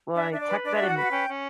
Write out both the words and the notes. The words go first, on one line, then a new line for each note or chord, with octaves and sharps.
Boy, talk about am
D4 E5
D4 E5
D5
B4
D4 D5
F#4 E5
F#5
B4
F#5
C#4 G5
C#4